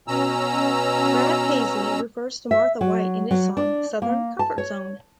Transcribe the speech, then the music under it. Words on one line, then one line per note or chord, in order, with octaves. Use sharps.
Brad Paisley refers to Martha White in his song "Southern Comfort Zone".
B2 C#4 A#5 E6
E5
F#3
F#3
D4
A#3
A5
C#5